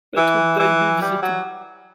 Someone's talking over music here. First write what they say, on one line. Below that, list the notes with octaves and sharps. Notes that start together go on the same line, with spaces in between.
But would they be visited?
E3
E3
G3
F#3